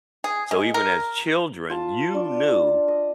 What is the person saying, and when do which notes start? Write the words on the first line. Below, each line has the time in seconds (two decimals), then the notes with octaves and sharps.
so even as children, you knew
0.24 G#4
0.51 G#3
0.74 A#4
1.70 F4 A5
2.14 D4
2.88 D#5